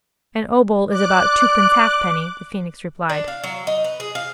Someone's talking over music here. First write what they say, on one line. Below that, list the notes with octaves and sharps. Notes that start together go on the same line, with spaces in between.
'An obol is about twopence halfpenny,' the Phoenix replied.
D5 D6 F#6
D4
F5
F#3
D#4
B4
G#4
F5